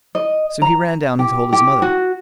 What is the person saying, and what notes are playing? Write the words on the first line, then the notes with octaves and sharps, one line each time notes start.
So he ran down and told his mother.
D#5
A#5
G4
G4
F#4